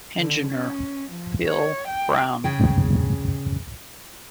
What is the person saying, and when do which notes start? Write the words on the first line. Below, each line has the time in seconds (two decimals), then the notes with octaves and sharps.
Engineer: Phill Brown.
0.17 D3
0.47 C#4
1.10 F3
1.47 C#5
1.88 G5
2.44 C#3 G#4 G5